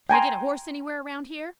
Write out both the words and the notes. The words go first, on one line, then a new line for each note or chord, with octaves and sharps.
"Can I get a horse anywhere around here?"
G5 G#5 A#5 C6